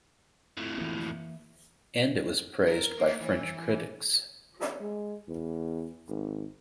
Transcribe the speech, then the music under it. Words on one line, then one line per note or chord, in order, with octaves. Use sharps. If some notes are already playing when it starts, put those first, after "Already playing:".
And it was praised by French critics.
F2 A2
E3 A#3
A#4
A#3
E3
G#3
E2
G#1